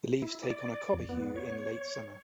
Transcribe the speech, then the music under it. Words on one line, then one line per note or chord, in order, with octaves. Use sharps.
The leaves take on a copper hue in late summer.
E4
D5
F2
B3
C#5